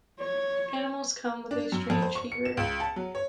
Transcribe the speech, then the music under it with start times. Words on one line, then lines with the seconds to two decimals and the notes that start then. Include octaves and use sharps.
Animals come with a strange fever.
0.19 C#5
1.51 D4
1.72 F#2
1.90 F2
2.02 C5
2.15 C#6
2.32 C#7
2.45 E7
2.57 C#2
2.80 A5
2.96 F#3
3.15 C#5